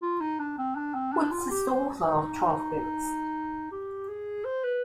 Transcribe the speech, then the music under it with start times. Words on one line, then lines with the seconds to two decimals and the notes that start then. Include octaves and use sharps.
Woods is the author of twelve books.
0.02 F4
0.21 D#4
0.39 D4
0.58 C4
0.76 D4
0.94 C4
1.13 D4
1.31 F4
1.50 G4
1.68 C5
2.05 D#4
3.72 G4
4.09 G#4
4.45 C5
4.64 B4